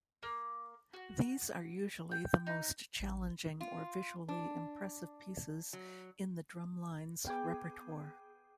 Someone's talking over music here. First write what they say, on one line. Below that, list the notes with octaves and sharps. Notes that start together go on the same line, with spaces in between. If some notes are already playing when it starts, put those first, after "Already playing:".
These are usually the most challenging or visually impressive pieces in the drumline's repertoire.
A#3
F#4
G5
D#4
A1
F4
D4
F#3
B3 G#4 G5 D6